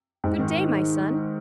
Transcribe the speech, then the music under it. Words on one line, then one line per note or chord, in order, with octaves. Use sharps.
'Good day, my son!
G#2
D#3